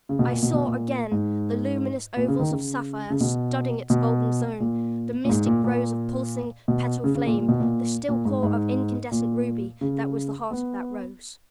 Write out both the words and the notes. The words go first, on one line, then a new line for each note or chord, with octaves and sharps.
I saw again the luminous ovals of sapphire, studding its golden zone, the mystic rose of pulsing, petal flame, the still core of incandescent ruby that was the heart of that rose.
C#3
B2
A#2
B2
B2
A#2
G#2
A#2
C#3
D#3
C#3
C#3
B2
B2
A#2
A#2
G#2
A#2
A#2
B2
C#3
C#3
A#2
A#2
B2
A#2
A#2
G#2
G#2
A#2
C#3
B3